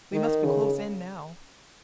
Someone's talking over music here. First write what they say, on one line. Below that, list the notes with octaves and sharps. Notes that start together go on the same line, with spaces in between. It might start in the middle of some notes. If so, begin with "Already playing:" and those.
We must be close in now!
D#3
C#3